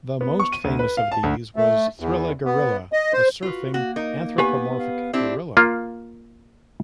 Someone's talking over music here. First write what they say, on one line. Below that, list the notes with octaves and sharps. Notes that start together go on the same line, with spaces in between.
The most famous of these was Thrilla Gorilla, a surfing anthropomorphic gorilla.
B3
C#6
D#7
D2
B4
F5
A5
D2
A3
E2
B3
D#5
C5
F4 F#4 B4
A#3 F#4
D#4 A#4
B3 G4 B4 G#5
F5
C4 D4 E4 G4
A#3 F4